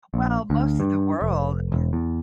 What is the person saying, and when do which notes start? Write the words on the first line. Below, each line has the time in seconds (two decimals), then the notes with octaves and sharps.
Well, most of the world, I mean
0.14 A#1
0.50 D2
0.80 G2
1.22 F1
1.72 E1
1.93 E2